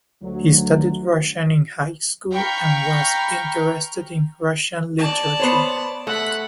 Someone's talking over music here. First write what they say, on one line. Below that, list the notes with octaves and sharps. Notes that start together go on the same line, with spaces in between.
He studied Russian in high school and was interested in Russian literature.
D2 F#3
F5 G5 A#5 B5 C#6 F6
D5 A5
B3 C5 C#5
A3 F#5 B5